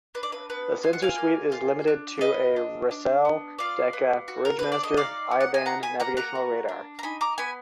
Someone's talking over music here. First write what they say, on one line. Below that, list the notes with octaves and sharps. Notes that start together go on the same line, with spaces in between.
The sensor suite is limited to a Racel Decca Bridgemaster I-band navigational radar.
D4 B4
D5
B4
B3 B4
F4 G#5
F#5
F5 G#5
A#3
F4
D4
F4 B4 D#5
D4
D4
B3
F4 D5 F5
B3
F#4
A#4
D4 B4
D5
D#5
D#4 D5 F5
B3
F#5
G#5
F4 F#5 A#5
G#5 B5
A#3 F#5 A#5
F#5 A#5
F#4
D4
A#5
D#4 G#5 B5
A#5 D6
B3 G#5 B5